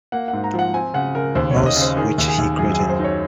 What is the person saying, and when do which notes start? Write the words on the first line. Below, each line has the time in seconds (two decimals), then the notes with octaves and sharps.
Mouse, which he created.
0.12 A#3 F#5
0.28 F#5
0.33 G#2
0.44 A#5
0.54 F3
0.59 F#5
0.74 C4 G#5
0.94 C#3 F#5
1.15 C#3 A#4
1.35 D#2 C5
1.51 C#5
1.56 D#2
1.66 D#5
1.76 C#3
1.81 C5
1.97 D#3 G#4
2.18 D#2
2.28 G#4
2.38 D#2
2.59 F#2 G#4
2.74 G#4
2.79 F#2
2.89 C5
3.00 D#4 C#5